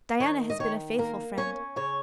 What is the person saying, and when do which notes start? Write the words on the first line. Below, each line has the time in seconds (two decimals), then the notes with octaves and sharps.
Diana has been a faithful friend.
0.20 D#3 C#5
0.50 D#5
0.59 D#3 C#5
0.98 A#3 A#4
1.37 C#4 C#5
1.76 C#3 C#5